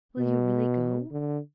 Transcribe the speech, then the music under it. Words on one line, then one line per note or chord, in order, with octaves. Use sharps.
'Will you really go?
B2
D3